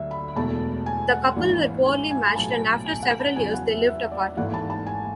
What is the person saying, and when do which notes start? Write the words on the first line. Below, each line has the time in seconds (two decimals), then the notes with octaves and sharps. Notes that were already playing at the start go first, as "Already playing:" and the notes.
The couple were poorly matched and after several years they lived apart.
Already playing: D2 D3 F#3 E5
0.11 B5
0.36 E1 E2 B2 A3 A5
0.86 G#5
1.11 F#5
1.37 G#1 G#2 E3
1.86 G#5
2.11 G#5
2.36 B1 A2 F#3 B3 A5
2.44 G#5
2.52 A5
2.86 G#5
3.03 F#5
3.20 A5
3.36 E2 C#3 F#3 B3 G#5
3.54 F#5
3.71 E5
3.87 E5
4.11 D5
4.37 G#1 G#2 E3 A3 F#5
4.54 A5
4.70 A5
4.87 G#5